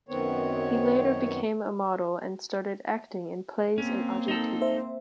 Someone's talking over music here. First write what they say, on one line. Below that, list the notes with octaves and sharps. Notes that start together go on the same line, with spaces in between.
He later became a model and started acting in plays in Argentina.
F#2 D#3 B3 C4 C#5
A#3 C4 C#4
D#4 A4
C5 E5